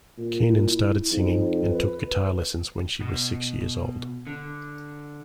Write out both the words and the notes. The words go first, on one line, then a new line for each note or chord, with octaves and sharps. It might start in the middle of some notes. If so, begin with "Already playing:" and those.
Keenan started singing and took guitar lessons when she was six years old.
A#2
E4
F2 D#4
B4
B2
D3